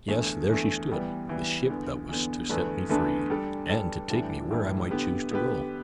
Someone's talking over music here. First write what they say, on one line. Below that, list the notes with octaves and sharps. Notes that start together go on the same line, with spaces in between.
Yes, there she stood, the ship that was to set me free, and to take me where I might choose to go.
E2 D3 A3
E2 D3 A3
E3 G3 B3
E3 G3 B3
E2 D3 B3
E2 D3 B3
E2 D3 A3 D4 B4
E2 D3 A3 D4 B4
G3 D4 A4
G3 D4 A4
A2 E3 G3 D4
A2 E3 G3 D4
D3 B3 G4 B4
D3 B3 G4 B4